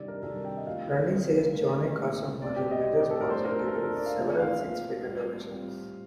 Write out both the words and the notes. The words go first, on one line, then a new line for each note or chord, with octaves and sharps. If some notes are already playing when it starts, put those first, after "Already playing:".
Randi says Johnny Carson was a major sponsor, giving several six-figure donations.
Already playing: C3 D#3 G3 D4 D5
A#4
C3 D#3 G3 D4 A4
G5
D#5
C3 F3 A3 F5
C3 F3 A3
A#2 A3 D#4
A#2 A3 D#4
A2 A3 C4 D5
G4
D#5
A2 A3 C4
G4
A4
A#4
F3 A3 D4 F4 C5
A#4
A4
A#4
F3 A3 D4 F4 A4
A#4
D5
F5
A#2 F3 A3 C4 F4
F5
A#2 F3 A3 C4 F4 F5
A2 G3 C4 F4
A2 G3 C4 F4